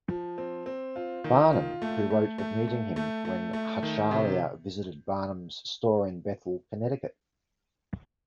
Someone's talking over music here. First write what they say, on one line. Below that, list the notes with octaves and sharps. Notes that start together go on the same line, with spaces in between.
Barnum, who wrote of meeting him when Hachaliah visited Barnum's store in Bethel, Connecticut.
F3
C4
C4
F4
D#3
F4
A3
A3
A3
A3
A3
A3
A3
D#3
C3